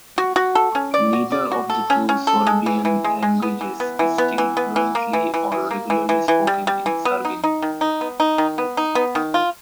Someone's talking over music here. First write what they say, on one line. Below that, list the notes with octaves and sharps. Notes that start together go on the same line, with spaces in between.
Neither of the two Sorbian languages is still fluently or regularly spoken in Serbin.
F#4
F#4
A4
C#4
D5
F#4
D5
F#4
A4
C#4
C#4
A4
G#3
E3
E3
G#3
G#3
B3
E3
B3
E3
B3
E3
B3
E3
A#3
E3
E3
E3
A#3
E3
E3
E3
G3
G3
E3
B3
D#4
D#4
D#3
D#4
B3
D#4
D#3
B3
D#4
B3
D#3
F4